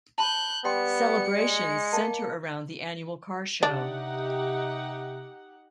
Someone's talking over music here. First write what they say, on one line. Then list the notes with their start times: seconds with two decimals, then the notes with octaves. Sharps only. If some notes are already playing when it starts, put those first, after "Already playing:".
Celebrations center around the annual car show.
0.18 A5 B5 F#6 G6
0.65 G3 B3 F#5 G5 C6 C#7
1.38 G#3 D5
1.93 A#3 D#5 A5
3.63 C3 D4 D#4 G4 F#5